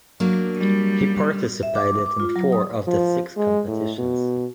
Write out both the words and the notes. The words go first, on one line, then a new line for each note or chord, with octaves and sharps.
He participated in four of the six competitions.
F#3 A#3 D4
G3
E5
D6
D6
F4
F#3
D#6
F3
G#3
A2
B2